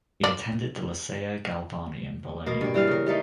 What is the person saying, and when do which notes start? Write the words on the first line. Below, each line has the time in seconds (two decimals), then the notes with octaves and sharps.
He attended the Liceo Galvani in Bologna.
0.24 D5
2.46 B2 A#3
2.61 G2 D5
2.74 E3 G3 F5
2.87 C#3 A#4
3.06 G3 A3 A#3 D#4